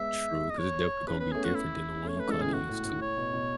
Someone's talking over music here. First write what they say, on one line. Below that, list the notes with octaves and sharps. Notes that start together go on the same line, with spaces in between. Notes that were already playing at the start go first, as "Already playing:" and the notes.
True, 'cause it definitely gonna be different than the one you kinda used to.
Already playing: G#3 B3 E5
D#5
C#5
C#4 B4
B3 B4
A3 C#4 G#4
F#4
E4
A3 C#4
C#5
A3 C#4
B4
G#3 B3 A4
A2 C#3 G#4
A2 F#4
A2
A2
C#5
B2
B2